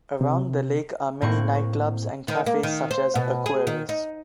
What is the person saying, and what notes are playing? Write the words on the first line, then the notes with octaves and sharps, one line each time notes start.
Around the lake are many nightclubs and cafes such as Aquarius.
C3
A2 A#3 C4 F#5 C#6
D#3
A#3
D#3
C5
B2
G#4
D#3
D#4